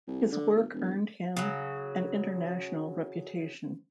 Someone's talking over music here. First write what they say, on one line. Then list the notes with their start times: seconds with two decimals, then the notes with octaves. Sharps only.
His work earned him an international reputation.
0.08 C2
0.32 D3
0.55 G1
0.73 E1
1.37 C#3 F#3